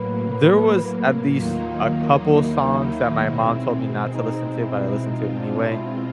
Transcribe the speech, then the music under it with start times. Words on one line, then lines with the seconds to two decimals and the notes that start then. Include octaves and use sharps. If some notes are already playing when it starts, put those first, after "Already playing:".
There was at least a couple songs that my mom told me not to listen to, but I listened to it anyway,
Already playing: A2 F#3 A#3 B4
1.35 D#2 D#3 F#3 A#3 D#4 F4
2.28 E4
3.21 B2 G#3 C4
4.14 D#4
4.60 E4
5.06 B2 G#3 C4 D#4 F4
5.37 D4
5.68 E4